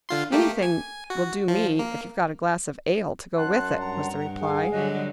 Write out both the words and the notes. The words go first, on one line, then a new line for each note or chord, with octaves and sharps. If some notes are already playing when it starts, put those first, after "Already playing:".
"Anything will do me, if you've got a glass of ale to go with it," was the reply.
D3 F4 C6
A3 A#3 G4
G#5
F#4
F3
A#3
F#2 F#5 A5 C6 F#6
G2 A#5
G#4 F5
D3 F#3 G3 D#5 F#6